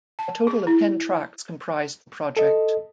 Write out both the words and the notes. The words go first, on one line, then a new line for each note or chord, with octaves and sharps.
A total of ten tracks comprised the project.
A5
G#4
E4
A4 D#5